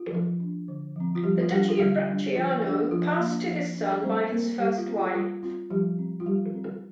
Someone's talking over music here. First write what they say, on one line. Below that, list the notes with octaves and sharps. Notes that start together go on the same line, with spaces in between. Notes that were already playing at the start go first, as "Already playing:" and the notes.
The duchy of Bracciano passed to his son by his first wife.
Already playing: F4
F3
D4
D3
F3 C4
F4
F3 G3 G4
F4
G3 D4 G4
F4
D3 G3 G4
G3 D4
F3 F4
D4
F3 F4
A#3 D4
F3
D4
G3 C4 C5
A#3 C4 A#4
G3 G4
F4
C4
F4
G3 F4
C4 F4
F3 G3 G4
C4
F4
G3 G4
C4